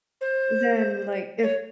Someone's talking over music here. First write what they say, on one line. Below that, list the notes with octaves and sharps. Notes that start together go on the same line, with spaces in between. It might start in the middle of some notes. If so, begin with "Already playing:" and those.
then, like, if
C5
C#5